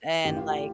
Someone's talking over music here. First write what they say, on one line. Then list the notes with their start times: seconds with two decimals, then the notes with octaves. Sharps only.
and, like
0.25 A1 A2 E3 G4
0.37 F4
0.50 G4